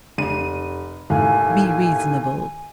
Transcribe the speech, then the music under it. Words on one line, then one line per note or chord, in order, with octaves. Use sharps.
Be reasonable.
F1 D#7
D#2 A2 G#5